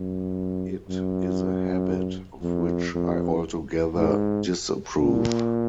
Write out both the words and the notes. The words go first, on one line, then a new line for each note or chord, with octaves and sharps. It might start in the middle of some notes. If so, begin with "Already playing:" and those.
It is a habit of which I altogether disapprove.
Already playing: F#2
F#2
F2
F2
G#2
A#2